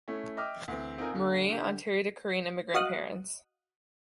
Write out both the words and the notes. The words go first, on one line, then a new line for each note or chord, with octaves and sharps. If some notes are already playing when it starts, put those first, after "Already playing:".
Marie, Ontario to Korean immigrant parents.
A3 C#4 E4
D#5 E5 G5 D6 D#6 F6
D2 E3 C4
C4 D#4 F4 A#4 G#5
D#2 D3
D3 G4
F#4 D#5 F5 D#6 F#6